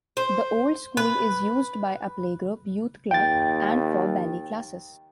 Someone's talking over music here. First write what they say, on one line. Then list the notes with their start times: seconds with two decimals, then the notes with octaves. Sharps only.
The old school is used by a playgroup youth club and for ballet classes.
0.17 C5
0.97 B4
3.11 D#2 G5 A6